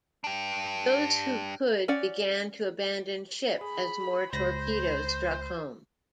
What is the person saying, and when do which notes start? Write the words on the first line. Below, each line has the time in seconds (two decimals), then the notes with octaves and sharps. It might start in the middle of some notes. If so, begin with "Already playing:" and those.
Those who could began to abandon ship as more torpedoes struck home.
0.24 D4 G4
1.88 C#4 D5 F#5
3.61 G#4 B5
4.33 C#2 C5 B5 A#6